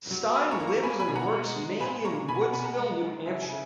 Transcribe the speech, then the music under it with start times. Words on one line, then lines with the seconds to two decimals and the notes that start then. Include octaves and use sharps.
Steyn lives and works mainly in Woodsville, New Hampshire.
0.11 F#3
0.35 A#3 G#5 B5
0.51 A#5 C#6
0.60 A#3
0.67 A#5 C#6
0.83 A#3 G#5 B5
1.00 G#5 B5
1.08 B2
1.15 F#5 A#5
1.32 G#3
1.57 G#3
1.80 A#2 G#5 B5
2.05 A#3 A#5 C#6
2.28 B2 G#5 B5
2.41 F#5 A#5
2.53 B2 G#5 B5
2.65 F#5 A#5
2.77 G#3
3.01 D#3
3.26 C#3 E5 G#5
3.42 E5 G#5
3.50 C#3